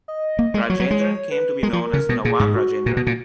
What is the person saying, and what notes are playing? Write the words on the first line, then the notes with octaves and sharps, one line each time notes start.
Rajendran came to be known as Nawab Rajendran.
D#5
A#3
G#3
F#3 C#5
F#3
G#3
C#5
B4
G#3 A#4
F3
C#3
B2
A#2 G#4
G#2
F#4
A#2
B2
A#2